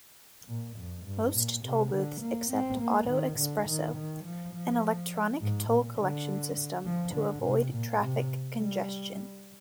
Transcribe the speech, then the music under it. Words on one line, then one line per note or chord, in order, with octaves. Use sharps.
Most tollbooths accept "AutoExpreso", an electronic toll collection system, to avoid traffic congestion.
A#2
F2
G2
A#2
C3
D3
A#3
C4
A#3
D#3
D3
D#3
D#3
F3
F3
G#2
A#2
D3
F3
D3
C3
A#2
C3
G3